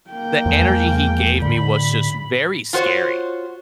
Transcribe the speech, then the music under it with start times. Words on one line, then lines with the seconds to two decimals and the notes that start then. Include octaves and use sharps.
the energy he gave me was just very scary.
0.10 A#3 G5
0.46 E2 F3 G#3
1.42 A2 D3 B5
2.73 F4 F#4 C5 C#5